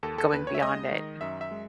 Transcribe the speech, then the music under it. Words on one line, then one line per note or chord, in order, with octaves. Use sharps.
going beyond it.
D#2 A4
A4
D#2 B4
C#5
E5
G#3 D#5
D#3
F#2 E5
E5
G#3